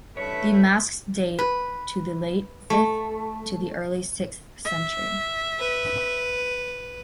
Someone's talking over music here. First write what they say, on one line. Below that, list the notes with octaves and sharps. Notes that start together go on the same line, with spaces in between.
The masks date to the late fifth to the early sixth century.
A1 G2 A3 B4 C#5 E5
B4
A3
E5
B4